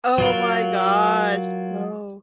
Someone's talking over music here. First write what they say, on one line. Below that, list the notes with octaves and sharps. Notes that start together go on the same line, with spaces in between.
Oh, my gosh, no.
F#3 F4 A#4